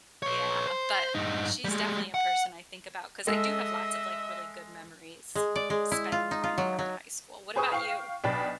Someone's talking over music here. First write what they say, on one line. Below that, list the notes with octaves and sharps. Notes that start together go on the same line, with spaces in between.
yeah, but she's definitely a person I think about, 'cause I do have lots of like, really good memories spending time with her in high school what about you?
B4 C#5
C5
G2 D#4
G3 G#3
F#5
G#3 A4 D#5 E5
G#3
D5
G#3
E4
F4
D#4
F4
F#3
F#3
G#4 B4 C5 G#5 C#6 D#6
F5 G5 C#6 C7
B1 B2 D4 G5 B5 A6